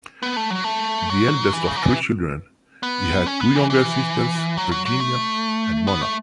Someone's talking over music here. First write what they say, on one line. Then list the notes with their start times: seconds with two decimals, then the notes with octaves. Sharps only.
The eldest of three children, he had two younger sisters-Virginia and Mona.
0.23 B3
0.37 A3
0.50 F#3
0.64 A3
1.10 F#3
1.53 E3
1.67 C#3
1.76 F#3
1.83 E3
2.83 B3
3.26 C#4
3.41 B3
3.56 E3
3.70 E3
4.57 F#3
4.71 F#3
4.85 F#3
5.00 A3
5.87 B3
6.02 A3